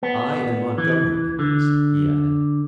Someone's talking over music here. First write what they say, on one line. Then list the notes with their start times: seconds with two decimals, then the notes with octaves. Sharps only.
"I and Montgomery, at least," he added.
0.03 B3
0.78 E3
1.39 D3